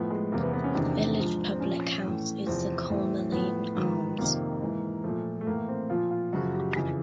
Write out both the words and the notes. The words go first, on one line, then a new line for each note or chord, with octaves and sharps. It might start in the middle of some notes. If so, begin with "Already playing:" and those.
The village public house is the Cholmeley Arms.
Already playing: A2 F3 B3
G#3
E2 C3 E3 A#3
B3
B3
C#4
E2 C3 D#3 D4
G#2 F3
C4
A#2 F3 C#4
A2 E3
E2 C3 F3 C4
A2 E3
A2 F3 B3
G#2 D#3
F2 C3 D#3 A#3
G#2 E3
A#2 F3 A3
A3
A2 E3 A#3
C4
A#2 F3 F4
F4
F#2 C#3 F3 F#4
G4
F2 C#3 E3 G#4